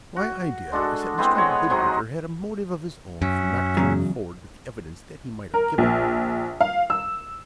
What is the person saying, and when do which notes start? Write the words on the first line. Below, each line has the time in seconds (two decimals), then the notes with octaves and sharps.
My idea is that Mr. Midwinter had a motive of his own for not coming forward with the evidence that he might have given.
0.16 F#4
0.72 G#3 D4 F#4 A4
1.18 G#3 B3 C4 E4
1.35 G#4 C#5 D#5 F#5
1.70 C3 F#3 G#3 D#4
3.22 F#2 C#4 E5 F#5
3.77 E2 C#3 F#3
5.54 A#4
5.78 A#1
6.61 F5
6.90 E6